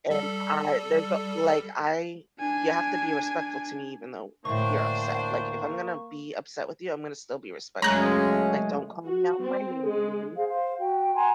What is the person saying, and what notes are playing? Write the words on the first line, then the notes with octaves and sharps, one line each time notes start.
And I there's a like I you have to be respectful to me even though you're upset. Like, if I'm gonna be upset with you, I'm gonna still be respectful. Like, "Don't call me out on my name.
G3 A4
D4 G#5
D2 A2 A#3 D4 C5 C#6
F#2 C#3 G#3 A3 C#4 A#5 F#6
F#4
C4
G#3
G#4 C5 F5
C5 F5
F#4 G5
F#5 G#5 A#5 C6